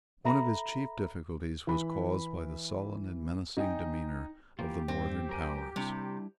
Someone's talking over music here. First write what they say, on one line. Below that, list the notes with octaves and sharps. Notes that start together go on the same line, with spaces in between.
One of his chief difficulties was caused by the sullen and menacing demeanour of the Northern powers.
A4 E5 A#5 B5 A#6
E3 B5
D#4 D#5 G5 G#5
E3 A#3 F4 G4
G2 C4
F#3 A#4 G#5
C3 G3 D4 E4